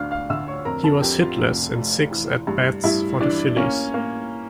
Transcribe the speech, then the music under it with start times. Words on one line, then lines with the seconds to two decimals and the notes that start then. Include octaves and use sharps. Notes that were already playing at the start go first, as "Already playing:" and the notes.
He was hitless in six at-bats for the Phillies.
Already playing: D2 D4 F5 F6
0.11 F5 F6
0.30 D3 E5 E6
0.48 C#5 C#6
0.65 F2 A#4 A#5
0.84 A4 A5
1.02 F2 G4 G5
1.21 F4 F5
1.38 F1
1.75 F1
2.11 E3
2.47 G2
2.84 G2 E4 E5
3.21 E3 D4 D5
3.57 A#3 C#4 C#5
3.94 A#3